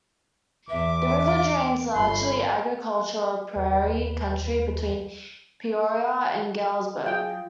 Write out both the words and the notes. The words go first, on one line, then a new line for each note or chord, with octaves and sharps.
The river drains largely agricultural prairie country between Peoria and Galesburg.
E2 E5 D6
G1 B5 C6
D#2 B4
F#3 F4 G#4 G5